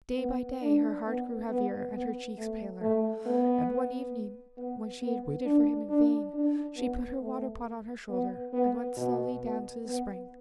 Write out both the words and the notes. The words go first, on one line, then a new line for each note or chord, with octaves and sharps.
Day by day her heart grew heavier and her cheeks paler, and one evening, when she had waited for him in vain, she put her water-pot on her shoulder and went slowly down to the spring.
B3
D4
B3
B3
B3
A3
A3
B3
B3
B3
D4
D4
D4
B3
A3
B3
B3
B2
B3
B3